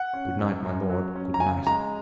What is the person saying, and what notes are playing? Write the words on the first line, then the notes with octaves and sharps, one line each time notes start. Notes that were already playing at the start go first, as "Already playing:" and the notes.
Good night, my lord, good night.
Already playing: F#5
C#4
F#2
F#2
F#3
C#4
A#5
C#3 G#5
G#3 A#5